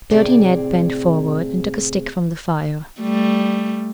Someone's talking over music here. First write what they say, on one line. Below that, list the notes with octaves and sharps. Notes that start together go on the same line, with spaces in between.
Beardy Ned bent forward and took a stick from the fire.
A2 C3 C4 G#4 D5
G3 A3